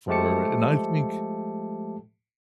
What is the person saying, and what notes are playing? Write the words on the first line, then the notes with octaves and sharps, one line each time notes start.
for and I think
F3 G#3 A3 G4 A5 C#7